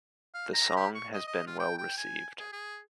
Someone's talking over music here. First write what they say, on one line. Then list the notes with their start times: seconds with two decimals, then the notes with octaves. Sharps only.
The song has been well received.
0.34 F5
0.53 A#5
0.76 G4
0.94 C#6
1.14 D#5
1.27 D#5
1.47 F4
1.59 G5
1.78 G5
1.98 G#5
2.39 G#4
2.52 G#4